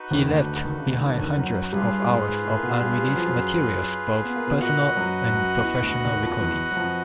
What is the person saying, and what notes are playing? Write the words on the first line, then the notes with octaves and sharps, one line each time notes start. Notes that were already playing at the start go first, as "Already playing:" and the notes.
He left behind hundreds of hours of unreleased materials, both personal and professional recordings.
Already playing: D#4 F#4 B4
D#2 D#3
D2 D3
D#3
D3
C#3
D2 D3
D#3
D3
D#2 D#3
F#2 F#3
G2 G3 F4 G#4 B4
G3
G#2 G#3
A2 A3
A#3
B2 B3
G2 G3
G3
F#3
F3
F#2 F#3
B3
A#3
B2 B3
A#2 A#3 F#4 B4 D#5 F#5
F#2 F#3
F#2 F#3
E2 E3
D2 D3
D#2 D#3
F2 F3
E2 E3
F#3
F2 F3